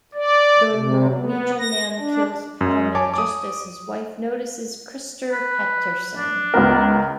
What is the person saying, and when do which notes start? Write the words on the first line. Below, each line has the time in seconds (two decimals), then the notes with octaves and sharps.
The Norwegian man kills Palme just as his wife notices Christer Pettersson.
0.14 D5
0.72 C3
1.14 B3
1.59 A#6
1.99 D4
2.61 F#2
2.95 C#5 G#5 A5 D6
3.14 D6 D#6
5.32 B4
6.17 D4
6.54 C#2 B3 A#4